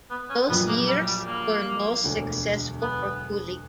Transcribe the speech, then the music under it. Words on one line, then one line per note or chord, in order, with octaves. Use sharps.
Those years were most successful for Kulig.
B3
C#4
A#1 A#2 F#3 B3
A#3
G3
G3
A#3
E1 D2 D3
B3